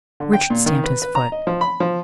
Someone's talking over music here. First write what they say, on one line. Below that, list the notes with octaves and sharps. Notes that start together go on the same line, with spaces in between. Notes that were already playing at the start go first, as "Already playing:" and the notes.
Richard stamped his foot.
D3
G5
A#2
D#3
B4
B4
A#5
D#5
F3
B5
F3